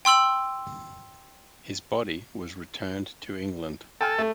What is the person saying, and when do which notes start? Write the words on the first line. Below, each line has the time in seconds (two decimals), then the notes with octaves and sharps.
His body was returned to England.
0.05 G5 C6 E6 F#7
4.01 A4 G5 G#5 F6
4.18 A3